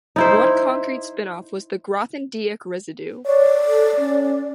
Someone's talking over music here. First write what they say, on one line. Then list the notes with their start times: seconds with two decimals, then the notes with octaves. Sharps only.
One concrete spin-off was the Grothendieck residue.
0.16 D#4 E4 C5
3.26 C#5 D5
3.67 A4
3.99 C#4